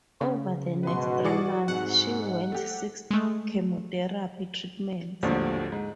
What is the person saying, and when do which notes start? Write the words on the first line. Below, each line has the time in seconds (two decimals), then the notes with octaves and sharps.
Over the next three months she went six chemotherapy treatments.
0.21 C#3
0.83 G#2 B2 F#4 B4 C6
1.24 E3 G#4 D5 C#7
1.68 G#2 C3 F#5
2.52 A3 G4
3.11 G#3 A3
5.23 G#1 D#2 A2 D3 F3 G3
5.72 G#2